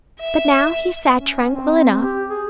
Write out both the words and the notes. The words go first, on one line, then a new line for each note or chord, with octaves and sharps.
But now he sat tranquil enough.
E5
C#4
C4
G4
G#4